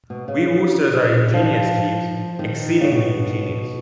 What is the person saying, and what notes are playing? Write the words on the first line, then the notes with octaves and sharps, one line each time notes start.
We Woosters are ingenious, Jeeves, exceedingly ingenious.
B2
C#3
F3
D#3
C#3
B2